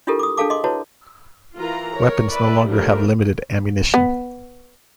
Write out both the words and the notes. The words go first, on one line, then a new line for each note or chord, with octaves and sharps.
Weapons no longer have limited ammunition.
D4 E4 F4 G4 A4 A#4
D6 D#6
D4 G#4 A4 F5 A5 D6
D#5 C6 D6
E4 F#4 B4 C#5 A5
E3 F4 A#4 A#5
A#4 C#5
B4 D5 E5
F3 G3 A3 D4 A#4
B3